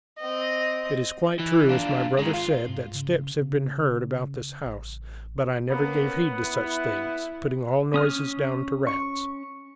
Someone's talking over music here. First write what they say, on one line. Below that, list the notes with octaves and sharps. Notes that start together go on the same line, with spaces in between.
It is quite true, as my brother said, that steps have been heard about this house, but I never gave heed to such things, putting all noises down to rats.
C4 D#5
E3
D4 F4
D#3 G#3
F4
G#2
C#3
C#3
A1
A#3 B3 C#4
E4
C#4 D#6 F6
C#6